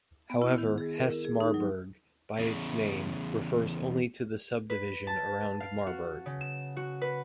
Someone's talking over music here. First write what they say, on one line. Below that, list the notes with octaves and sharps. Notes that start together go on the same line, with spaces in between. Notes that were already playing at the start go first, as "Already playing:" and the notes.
However, Hesse-Marburg, by its name, refers only to the subdivision around Marburg.
B3
E4
D#3
G#4
A#4
E4
G#4
D#4
F#3
E2 C#3
B4
A5
F5
F#4
C#3
E7
F#4
B4